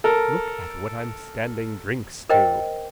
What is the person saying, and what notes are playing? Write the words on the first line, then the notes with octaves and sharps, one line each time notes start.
Look at what I'm standing drinks to!
A4 A#4
A#4 C5 D#5 G5